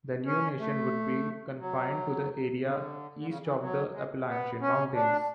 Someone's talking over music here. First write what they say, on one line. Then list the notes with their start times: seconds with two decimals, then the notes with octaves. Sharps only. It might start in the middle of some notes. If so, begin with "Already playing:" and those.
The new nation would be confined to the area east of the Appalachian Mountains.
0.25 C#4
0.59 A3
1.59 F#3
2.60 D3
3.17 D3
3.26 C#3
3.43 E3
3.60 F#3
3.93 G#3
4.27 B3
4.61 C#4
4.94 D4